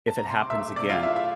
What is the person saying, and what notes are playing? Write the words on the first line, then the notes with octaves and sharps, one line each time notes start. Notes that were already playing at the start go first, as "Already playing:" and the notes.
if it happens again,
A5
A#5
C3
C6
D6
A3 E5 E6
C3 D5 D6
F4 F5
A3 E4 E5
E4 E5